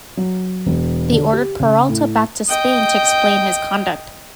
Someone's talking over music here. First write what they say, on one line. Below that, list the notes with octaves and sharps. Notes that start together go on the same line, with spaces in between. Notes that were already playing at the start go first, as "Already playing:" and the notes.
They ordered Peralta back to Spain to explain his conduct.
F#3
E1
D3
G4
C#3
A2
D#5 G5